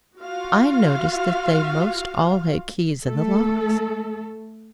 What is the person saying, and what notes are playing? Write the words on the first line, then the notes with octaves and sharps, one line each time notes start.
I noticed that they most all had keys in the locks.
F4 F#4 F5
A3 A4